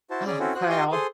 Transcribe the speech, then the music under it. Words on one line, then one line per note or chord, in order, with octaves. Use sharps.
Oh, wow.
E4 F#4 C5 A5
C#4 G#4 D5
C4 C#4 E4 F#4 A4
F#4 C5 F#6
F4 G4 D#5 C6 C#6 D#6
G#4 A4 C5 C6 D#6